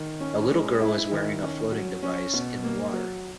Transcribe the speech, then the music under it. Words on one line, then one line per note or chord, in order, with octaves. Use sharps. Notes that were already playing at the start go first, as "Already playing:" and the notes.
The little girl is wearing a floating device in the water.
Already playing: D#3
C#4
G#3
E4
D#3
C#4
F#3
C#4
B2
A#3
F#3